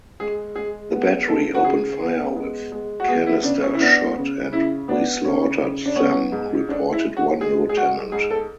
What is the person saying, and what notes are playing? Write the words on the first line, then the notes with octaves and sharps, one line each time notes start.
The battery opened fire with canister shot and "we slaughtered them" reported one lieutenant.
G#3 G#4
G#3 G#4
B3
C#3 A4
F#4
C#3 G#4
B3
G#3
G#3
F#4
B3 G#4
E4
C#3 D4
C#4
E4
B3 D4
C#3
C#3 E4
B3 D4
C#3 C#4
C#3
D4
B3 C#4
G#2
G#3 D4
E4
G#3
F#4
G#3 G#4
G#4
G#3 F#4
G#2 G#4
A4